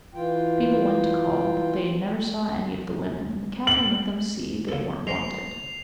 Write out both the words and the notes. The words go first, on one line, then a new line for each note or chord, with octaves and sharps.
People went to call but they never saw any of the women and the Captain let them see they weren't wanted.
E3 F4 G5
F#7
C#3 A4
G#3 C4 C#4 C7 F7